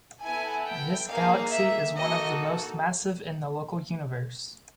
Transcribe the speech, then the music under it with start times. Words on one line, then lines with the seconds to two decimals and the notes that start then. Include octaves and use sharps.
This galaxy is one of the most massive in the local Universe.
0.22 B3 E4 A4 G#5
0.66 G5
1.09 A#3 D#4 G#4 F5
1.52 E5
1.96 A#3 D#4 F#4 A4 D#5